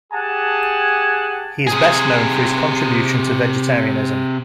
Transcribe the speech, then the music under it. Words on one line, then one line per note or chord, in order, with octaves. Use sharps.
He is best known for his contribution to vegetarianism.
G4 G#4 F#5 G#5 A5
C3 G#4